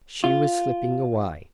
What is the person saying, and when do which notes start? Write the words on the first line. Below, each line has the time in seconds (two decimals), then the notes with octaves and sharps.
She was slipping away.
0.24 F4